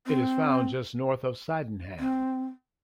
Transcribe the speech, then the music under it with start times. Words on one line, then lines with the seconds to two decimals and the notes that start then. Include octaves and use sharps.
Its found just north of Sydenham.
0.07 C4
2.00 C4